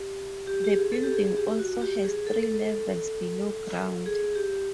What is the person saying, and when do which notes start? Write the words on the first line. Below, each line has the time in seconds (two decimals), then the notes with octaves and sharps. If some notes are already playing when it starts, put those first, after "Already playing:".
The building also has three levels below ground.
Already playing: G4
0.47 G4
0.64 G4
0.70 G#4
0.92 A4
1.03 G4
1.14 G#4
1.27 G#4
1.37 G4
1.59 F#4
1.81 G4
2.04 G#4
2.27 A4
4.06 G#4
4.35 G4